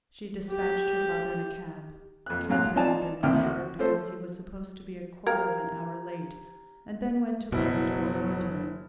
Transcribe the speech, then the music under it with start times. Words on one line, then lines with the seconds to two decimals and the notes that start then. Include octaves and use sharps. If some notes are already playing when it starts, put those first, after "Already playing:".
She despatched her father in a cab, the cab having been procured because he was supposed to be a quarter of an hour late, and then went to work to order her dinner.
0.51 G4
2.26 F2 F#6
2.50 G#2 F#3 F5 F#6
2.76 D#4 F4 D5 G#5 A5
3.23 A1 D2 D#3 C4 G5 F6
3.44 F#4
3.79 F3 A3 A4 C5
5.27 G4 A#4 F5 G5 A#5 F6 G#6
7.52 F#1 B2 F#3 E4